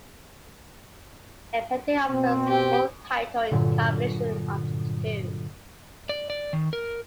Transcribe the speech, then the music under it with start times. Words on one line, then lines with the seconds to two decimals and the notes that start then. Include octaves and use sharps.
A petty officer's full title is a combination of the two.
2.09 B2 C4
2.48 G4
3.51 G2 A#2 D3 F#3
6.09 D5
6.30 D5
6.53 D#3
6.73 A#4